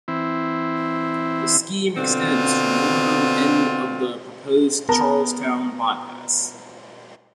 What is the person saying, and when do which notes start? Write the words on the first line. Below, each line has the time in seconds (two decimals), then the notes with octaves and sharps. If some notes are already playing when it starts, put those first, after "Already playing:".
The scheme extends from northern end of the proposed Charlestown bypass.
0.08 E3 C4 E4
1.97 B2 D3 C4 F4
4.89 B3 A#4 A5 A#5